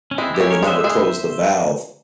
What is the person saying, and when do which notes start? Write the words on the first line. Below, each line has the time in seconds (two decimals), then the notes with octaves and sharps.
they would never close the valve,
0.11 C#4
0.18 G#3 C4 E4
0.34 E4 G4
0.40 C#4
0.51 A#4 C#5
0.63 G#3 C5 E5
0.84 G#3